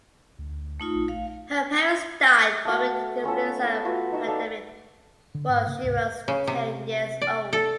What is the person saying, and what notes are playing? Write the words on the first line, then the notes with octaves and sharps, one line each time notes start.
Her parents died from an influenza pandemic was she was ten years old.
D2
A3 D#4 F4
A#1
F5
A3 F#4
B3 C#4 F4 A4
F5 A5 B5 D6
F4 F#4 B4
D#4 F#4 E5
A4 D5 F5
D3
G#2
C#3 A#3
D2 G#2 C3
C#3
C3
D5
A4